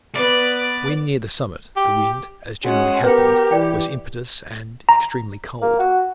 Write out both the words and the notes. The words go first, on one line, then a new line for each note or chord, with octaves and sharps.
When near the summit, the wind, as generally happens, was impetuous and extremely cold.
B3 B4 D5
G4
G#3 C#4 F#4 F#5
B3 G4 A#4 B4 G5
E3 D5 G5
A#5
A#3
F#4